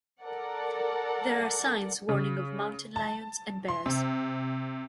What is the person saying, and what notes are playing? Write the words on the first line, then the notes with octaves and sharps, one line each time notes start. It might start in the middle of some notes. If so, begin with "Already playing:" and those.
There are signs warning of mountain lions and bears.
A4 A#4 D5 F#5
C#3
A5
C6
C3